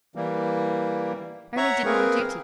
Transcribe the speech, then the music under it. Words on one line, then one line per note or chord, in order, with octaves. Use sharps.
'Only did my duty.
E3 G3 A#3
C#5 E5 F#5 A#5 C#6
A#3 C4 G#4 A#4 B4